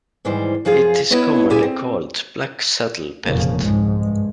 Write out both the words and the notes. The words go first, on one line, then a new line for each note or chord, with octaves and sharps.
It is commonly called black saddle pelt.
G#2 D#3 E3 G3 C5
F#2 F3 F4 G#4 F5
B3 E4 B4 C#5 D#5
D2 A#2 E4 G4 G#4 G#5
C4
F1 E2 A#2 C#3 F3 A#3
C2 G#2 F3 G#3
G2 G#3